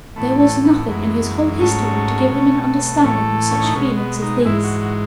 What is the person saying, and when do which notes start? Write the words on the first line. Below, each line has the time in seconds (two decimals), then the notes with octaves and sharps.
There was nothing in his whole history to give him an understanding of such feelings as these.
0.16 A2 E3 A3 B3
0.40 A3
0.65 B3
0.88 F#2 E3 G#3 B3
1.60 G#2 F#3 A3 C#4
2.32 B2 A3
3.02 A2 E3 A3 C#4
3.51 C#4
3.62 D#4
3.74 B2 G#3 C#4
3.98 B3
4.22 D#4
4.45 G#2 E3 G#3 E4
4.64 F#4
4.81 F#4